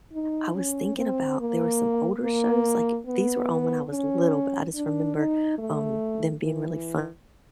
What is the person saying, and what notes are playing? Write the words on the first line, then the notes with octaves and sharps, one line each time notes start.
I was thinking about, there were some older shows, like these were on when I was little, but I just remember, um, them being really funny,
D#4
C#4
C4
A#3
A#3
B3
C#4
D4
D#4
A3
E3